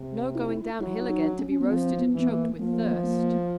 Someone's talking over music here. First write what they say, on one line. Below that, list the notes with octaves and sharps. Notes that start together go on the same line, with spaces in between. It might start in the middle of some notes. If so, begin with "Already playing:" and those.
"No going down-hill again to be roasted and choked with thirst."
Already playing: C3
E4
F#3 E4
D#4
C#4
B3
F3 C4
B3
E3
B3
A#3
F3 A#3
A#3